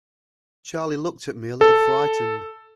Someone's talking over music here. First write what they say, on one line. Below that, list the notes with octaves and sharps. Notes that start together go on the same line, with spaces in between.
Charley looked at me a little frightened.
A4